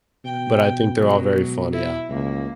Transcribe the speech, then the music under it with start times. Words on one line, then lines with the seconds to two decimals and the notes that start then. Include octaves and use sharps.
but I think they're all very fun, yeah.
0.25 B2 G5
0.97 F#3 G#3
1.73 E4
2.09 C#2 A#3